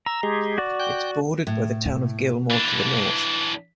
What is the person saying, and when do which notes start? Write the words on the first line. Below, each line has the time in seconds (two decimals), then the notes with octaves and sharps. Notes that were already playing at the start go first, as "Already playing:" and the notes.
It is bordered by the town of Gilmore to the north.
0.06 A#5 E6
0.23 G#3 G4 G#4
0.58 F#4 D5
0.79 G5 F#6 G6
1.47 A2
2.50 E3 D4